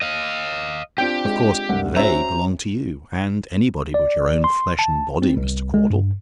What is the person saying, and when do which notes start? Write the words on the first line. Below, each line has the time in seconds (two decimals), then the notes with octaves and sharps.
Of course, THEY belong to you: and anybody but your own flesh and body, Mr. Caudle!
0.02 D#5 F5
0.98 C4 D4 F4 G4 G5
1.25 G#3
1.69 C2 G2 F#5
1.97 C#4 F#4 C5 E5 A#5
3.94 D5
4.44 C6
4.79 A5
5.22 C4
5.37 C2
5.74 G#3
5.90 G2